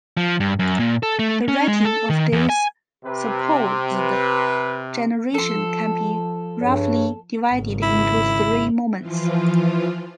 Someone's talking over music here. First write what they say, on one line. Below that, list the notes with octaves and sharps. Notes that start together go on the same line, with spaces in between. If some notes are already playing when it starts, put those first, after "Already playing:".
The writing of this supposed generation can be roughly divided into three moments.
F3
G2
F#2
A#2
A4
A3
C#4
G#3
A4
D#3
E2
G#5
C3 B4
C4
B4
F3 A4 C6
G2 G#4 C#5
G#1 C#3
E4
E3 F3 F4